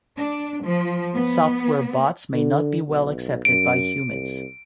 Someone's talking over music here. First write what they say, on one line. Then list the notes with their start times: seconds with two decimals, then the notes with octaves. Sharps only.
Software bots may not be well accepted by humans.
0.17 D4
0.63 F3
1.13 B3
2.33 D3
2.88 B1
3.45 F#2 D7
4.09 C2